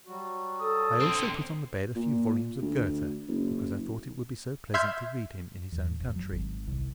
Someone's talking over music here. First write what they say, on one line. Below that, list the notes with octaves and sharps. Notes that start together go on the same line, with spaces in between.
I also put on the bed a few volumes of Goethe, because I thought it would be so pleasant to read him in his own country.
F#3 G3 F#4
A4 D#6
D3 C4
A#2
D2
F#1
E5 C6 F6 G6 G#6
E2
F#1
F#3
G#1
C2